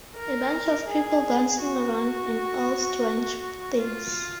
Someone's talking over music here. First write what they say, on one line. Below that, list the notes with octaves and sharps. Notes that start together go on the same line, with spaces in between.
A bunch of people bouncing around and all strange things.
A#4
G#4
F#4
F4